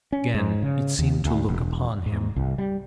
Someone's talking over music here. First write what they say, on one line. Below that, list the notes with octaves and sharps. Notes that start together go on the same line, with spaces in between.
Again it seemed to look upon him.
C#4
G#2
C#3
D#2
D2
E1
G#2
C2
G3